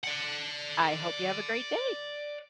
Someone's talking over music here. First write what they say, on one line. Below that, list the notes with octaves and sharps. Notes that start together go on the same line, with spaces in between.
I hope you have a great day.
D5 F#5